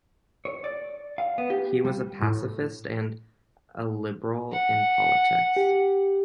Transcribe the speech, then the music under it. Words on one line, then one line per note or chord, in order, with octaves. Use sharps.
He was a pacifist and a Liberal in politics.
C#5
D5
F5
B3
G4
G3
A2
F#5
G4